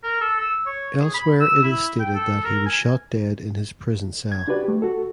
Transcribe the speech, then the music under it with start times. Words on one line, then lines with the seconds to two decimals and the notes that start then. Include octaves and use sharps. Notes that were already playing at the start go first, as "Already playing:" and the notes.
Elsewhere it is stated that he was shot dead in his prison cell.
0.03 A#4
0.21 A4
0.39 E6
0.66 C#5
1.00 G#4
1.14 B5
1.40 E6
1.63 E4
2.00 G5
2.14 A4
2.44 A#4
2.66 G#5
4.32 G#6
4.48 D4 F#4 G4 B4 D5
4.64 A3 G4
4.82 F#4 A4